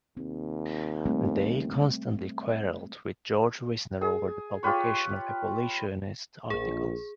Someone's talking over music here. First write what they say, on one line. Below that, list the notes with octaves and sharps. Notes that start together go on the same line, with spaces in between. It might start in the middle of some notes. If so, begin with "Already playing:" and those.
Day constantly quarreled with George Wisner over the publication of abolitionist articles.
D#2 C4
G3 A3 C4
G#4
F4 G4 B4 C#5
A#1 G#4